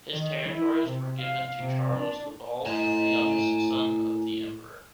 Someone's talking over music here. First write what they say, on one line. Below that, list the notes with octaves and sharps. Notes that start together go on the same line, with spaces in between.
His territories were given to Charles the Bald, youngest son of the Emperor.
D#3
E4
C3
F5
C3
D4
A2 G#5 A#5